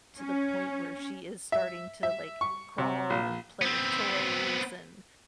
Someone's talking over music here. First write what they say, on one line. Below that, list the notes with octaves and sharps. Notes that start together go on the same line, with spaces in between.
to the point where she is starting to, like, crawl and play with toys and
C#4
E5
E5
C#6
C3
A#1
B3 C4